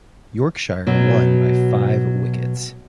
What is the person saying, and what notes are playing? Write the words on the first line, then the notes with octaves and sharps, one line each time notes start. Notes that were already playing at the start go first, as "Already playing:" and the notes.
Yorkshire won by five wickets.
B2 F#3